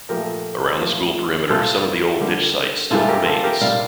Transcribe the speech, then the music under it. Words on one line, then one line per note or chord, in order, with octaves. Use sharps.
Around the school perimeter some of the old ditch site still remains.
A#2 F3 A3 G4 A#4
A2 F3 A#3
C3 G3 A#3 F4 A4
D3 G3 A#3
C3 E3 G3 A#3 F4 A4
G4 A#4
F4 A4
G4 A#4
C3 G3 A#3 D5 F5